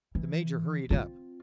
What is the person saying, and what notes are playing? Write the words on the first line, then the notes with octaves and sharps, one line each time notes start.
The major hurried up.
E3
C4 F4